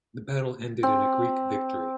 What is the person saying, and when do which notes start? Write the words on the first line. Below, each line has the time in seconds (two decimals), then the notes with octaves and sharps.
The battle ended in a Greek victory.
0.83 C4